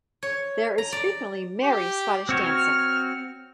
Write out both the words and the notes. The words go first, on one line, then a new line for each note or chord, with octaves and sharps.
There is frequently merry Scottish dancing.
C#5
A#5
D5
G4
C4 F#4 C#5 F6